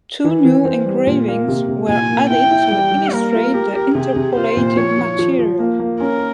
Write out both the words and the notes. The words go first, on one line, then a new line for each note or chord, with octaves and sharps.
Two new engravings were added to illustrate the interpolated material.
E3
E3
C4
G3
A#2
A#3
C3
C3
A#2 G#5
A#3
E4 G5
E4
G3 G5
G3
A#3 A#4
F4
G4
G4
C3 G#4
C3
F4 C5
A#2
F3 C#5
F3
F3
F3
A#3
A#3
C#4 A#4